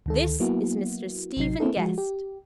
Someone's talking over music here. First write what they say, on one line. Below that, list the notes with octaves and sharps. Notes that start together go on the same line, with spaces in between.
"This is Mr. Stephen Guest."
D2 D#3 A4
F#3 A#3 B3 E4 F#4
A1 C3 F#3 D#4 C7
A#3 C4 E4 A4
F3 G#3 F#4
G4